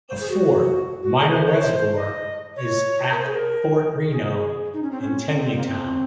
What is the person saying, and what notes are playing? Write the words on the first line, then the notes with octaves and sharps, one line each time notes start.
A fourth, minor reservoir is at Fort Reno in Tenleytown.
C5
G#4
F#4
F#4
G#4
C5
C#5
C5
D#5
C#5
A#4
C5
G#4
A#4
G#4
D#4
C#4
C4
C#4
C4
C4
A#3
C4